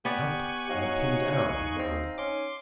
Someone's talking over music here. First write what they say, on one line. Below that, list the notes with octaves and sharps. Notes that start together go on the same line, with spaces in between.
"Help, I'm pinned down," he groaned.
B3 G4 D5 G#5 C#6 F#6
F#3 D#4 D#5 F5
C4
C#4 C6 D6